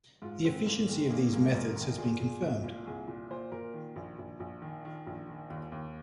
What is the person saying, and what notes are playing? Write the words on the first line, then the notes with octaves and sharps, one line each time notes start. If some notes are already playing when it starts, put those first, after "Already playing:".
The efficiency of these methods has been confirmed.
G#2 F4
G#2 C4
G#2 A#3
D#3 G#3
A#1 A#3
G#2 A#3
A#1 A#4
D#3 A#4
A#2 G#4
A#2 G#4
C2
A#2 F4
C2 G#4
A#2
A#2 C5
A#2 A#4
D#3
A#1
A#1
A#1
D#3
D#3
A#1
D#3
D#2
D#2